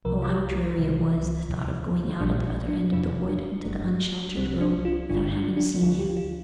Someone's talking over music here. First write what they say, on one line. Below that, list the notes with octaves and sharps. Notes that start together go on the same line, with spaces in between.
Oh, how dreary it was--the thought of going out at the other end of the wood, into the unsheltered road, without having seen him.
C2 C3 F3 A#4
F4
G4
F4
C2 C3 F3
D2 C3 F3
A#1 A#2 G3 D4
D4
F2 C3 F3 F4
D4
G1 G2 G3
C2 C3 G3 C4
D4
F4
G1 G2 D3 D4
D4
D4
D2 D3 G3 F4
G4
F4